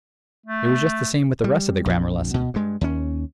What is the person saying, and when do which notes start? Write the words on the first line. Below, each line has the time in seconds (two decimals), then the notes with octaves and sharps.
It was just the same with the rest of the grammar lesson.
0.46 A3
1.44 G3
1.86 A#1 F2
2.34 B2
2.54 G2 G#3
2.81 D#2 C#4